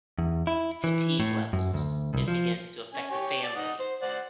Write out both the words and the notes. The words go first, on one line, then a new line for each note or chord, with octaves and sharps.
fatigue levels, it begins to affect the family,
E2
E4
E3
A2
F#2
D2
C2
F3
C#4 G#5
G4 C#5
D5
D#4 F#5 D#6
C5
C5 D5 F#5